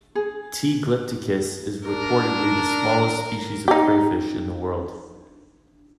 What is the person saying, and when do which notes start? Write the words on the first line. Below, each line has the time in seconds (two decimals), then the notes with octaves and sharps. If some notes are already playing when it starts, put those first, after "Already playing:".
"T. glypticus" is reportedly the smallest species of crayfish in the world.
0.15 G#4
1.87 D4 A#4
3.68 D#4 G4